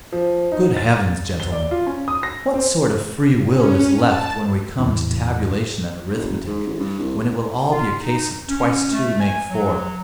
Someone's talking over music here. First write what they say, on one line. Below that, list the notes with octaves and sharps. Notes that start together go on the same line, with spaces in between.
Good heavens, gentlemen, what sort of free will is left when we come to tabulation and arithmetic, when it will all be a case of twice two make four?
F3
D#4
A6
G7
D5
F4
C#4
D#6
A#6
C4
C#4
A5
E2 A2 C3 E3
F#1
G#2
A1
G2
C2
F4
D#4
C#4
A3
G#5
F#3